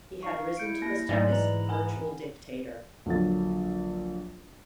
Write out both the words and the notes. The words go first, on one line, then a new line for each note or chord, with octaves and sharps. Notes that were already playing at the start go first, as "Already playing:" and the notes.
He had risen to the status of virtual dictator.
D#4 F5 C#6
E4 G6 C#7 D7
A#3 G4 A#6
G#2 F#3 A3 D5
E3 B4 A#5 F#7
F#5 G#5 B5
A#1 D3 F#3 A6